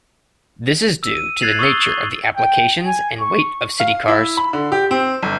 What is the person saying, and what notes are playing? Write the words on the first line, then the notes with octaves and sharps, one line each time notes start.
This is due to the nature of the applications and weight of city cars.
E6
D#7
F#6 G#6 A6 C7 F7 F#7
C#6 D#6 E6 G7
C#6
G5
G#5
C#6
F5
E4
B5
D3
G4
C4
G1